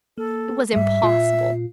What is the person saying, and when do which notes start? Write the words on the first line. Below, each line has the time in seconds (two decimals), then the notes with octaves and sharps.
It was impossible.
0.18 A#3 A4
0.73 G#2 G3 E5
1.03 A#2 F4